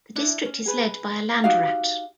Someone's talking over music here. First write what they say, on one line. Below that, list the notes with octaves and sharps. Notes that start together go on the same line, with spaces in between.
The district is led by a "Landrat".
D4 E4
C#4
G#4 B4
D#4 F#4 G4 F5